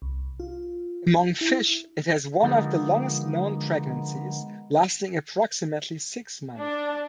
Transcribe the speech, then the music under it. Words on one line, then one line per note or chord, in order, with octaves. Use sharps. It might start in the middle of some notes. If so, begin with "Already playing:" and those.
Among fish it has one of the longest known pregnancies, lasting approximately six months.
C2
F4
E4
D3 F3 G#3 A#3 B3 D#4
D4